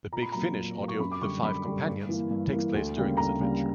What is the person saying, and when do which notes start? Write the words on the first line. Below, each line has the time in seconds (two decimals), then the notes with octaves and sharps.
The Big Finish audio "The Five Companions" takes place during this adventure.
0.12 A#2 A#5
0.22 B5
0.32 F#3 A#3 A#5
0.56 A#2
0.78 F#3 A#3
0.88 C#6
1.00 F#2 B5
1.11 D6
1.21 D3 G3 C#6
1.43 F#2 B5
1.65 D3 G3
1.87 G2
2.09 E3 A#3
2.31 G2
2.53 E3 A#3
2.74 D2
2.97 C#3 G3 A#3
3.17 D2 A#5
3.39 C#3 G3 A#3